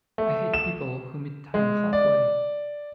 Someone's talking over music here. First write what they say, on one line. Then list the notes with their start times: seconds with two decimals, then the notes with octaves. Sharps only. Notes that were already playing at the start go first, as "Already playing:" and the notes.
I hate people who meet time halfway.
0.18 A3
0.54 E7
1.54 G#3
1.93 D5